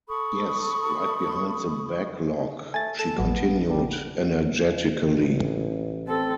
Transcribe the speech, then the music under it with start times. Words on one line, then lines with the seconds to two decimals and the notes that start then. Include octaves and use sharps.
"Yes, right behind the back log," she continued, energetically.
0.09 A4 B5 C#6 D#6
2.74 A3 G#5 A6
2.99 A4 E7
3.18 A1 F#3 B3
3.70 G3
5.18 A1
6.07 C4 A4